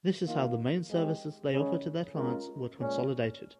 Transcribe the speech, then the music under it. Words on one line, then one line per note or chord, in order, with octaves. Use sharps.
This is how the main services they offer to their clients were consolidated.
D#3 A#3 F4
G#3 C4 G4
C#3 G#3 C#4
G#3 C#4 F4 A#4
A#2 G#3 C#4